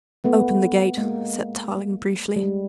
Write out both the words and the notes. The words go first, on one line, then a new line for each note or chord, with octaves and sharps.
"Open the gate," said Tarling briefly.
A3 B3
G#3 A#3
G3
G#3